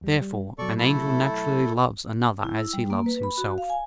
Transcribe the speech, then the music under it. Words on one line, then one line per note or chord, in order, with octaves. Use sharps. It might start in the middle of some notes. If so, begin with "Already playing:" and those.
Therefore an angel naturally loves another as he loves himself.
E2 G3
G3
B2 F#3 A4 D5 C#6
A3 E4 A4
E4
E6
G3
A#3
B4
B5
F#4
F5
G#5